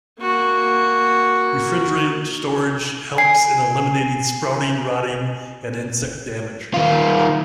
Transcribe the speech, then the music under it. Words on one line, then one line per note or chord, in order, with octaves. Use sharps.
Refrigerated storage helps in eliminating sprouting, rotting and insect damage.
A#3 F#4
G#5 C7
D#3 F4